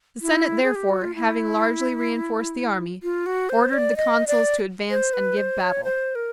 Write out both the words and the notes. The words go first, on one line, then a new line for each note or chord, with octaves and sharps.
The senate therefore, having largely reinforced the army, ordered the consuls to advance and give battle.
E4
G#4
G4
F#4
F4
E4
F4
F#4
C5
D5
D#5
D5
C5
B4
C5
C#5
C5
A#4